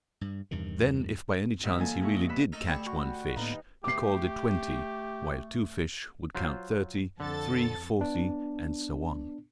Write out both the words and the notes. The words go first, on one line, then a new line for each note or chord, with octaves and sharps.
Then, if by any chance he really did catch one fish, he called it twenty, while two fish would count thirty, three forty, and so on.
G2
E2 G2 C3 D#3
G2 B2 D#3 B4 E6
F3 A#3 A4 F5 G#5
A2 C3 A#3 E4 C#6
G2 D#5
B4 E5 B5
A3 D#4 A#4 D#5 E6
D2 G3 G4 C#5 G5
F#4
D2 A2 A#3 B3 D#4 B4 F5
A3 G4 D6 C7
F#3 F4 C5
F2 D3 A4 A6
B3 D4